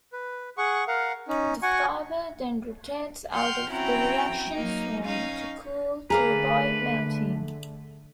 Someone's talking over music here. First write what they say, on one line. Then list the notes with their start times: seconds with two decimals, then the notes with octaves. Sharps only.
The fibre then rotates out of the reaction zone, to cool, to avoid melting.
0.13 B4
0.58 G#4 F#5 C#6
0.88 A#4 F5 F#5
1.28 C#4 D#4
1.62 F#4 F#5 G#5 C#6
3.34 F#5 G5 C6 F6 G6
3.70 C4 C#4 E4 F#4 G5 A#5
4.53 F#3 A#3 D#4
5.05 C#4 D#4 F5
6.10 D3 A3 G#4 A#4 B4 D5 F5 A#5